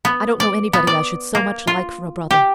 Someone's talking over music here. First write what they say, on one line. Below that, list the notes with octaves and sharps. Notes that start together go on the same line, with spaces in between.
I don't know anybody I should so much like for a brother.
B3
D5
B3
D5
A#3
F4
G4